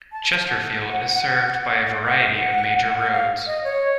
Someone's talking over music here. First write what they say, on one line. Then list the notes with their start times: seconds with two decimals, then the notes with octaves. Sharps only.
Chesterfield is served by a variety of major roads.
0.12 A5
0.30 A5
0.47 F#5
2.06 F#5
3.00 F#5
3.12 F5
3.47 D#5
3.64 C#5